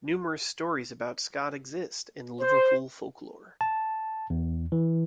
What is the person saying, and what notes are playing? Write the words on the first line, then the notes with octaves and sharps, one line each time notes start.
Numerous stories about Scott exist in Liverpool folklore.
C5
A5
E2
E3